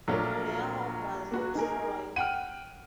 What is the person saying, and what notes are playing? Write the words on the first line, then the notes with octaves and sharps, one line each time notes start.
Their home was in Troy.
A#1 F#3 A3 D4 F4 A#4
A#3 F#4 B4
D#4 G#4 A#4
F#5 G5 F6 D#7